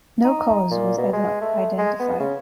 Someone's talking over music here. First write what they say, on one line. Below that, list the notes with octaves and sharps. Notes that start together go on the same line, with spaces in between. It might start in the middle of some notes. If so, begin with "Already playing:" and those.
No cause was ever identified.
D#4
A#2
B2
G#3
A3
G#3
B3
C#3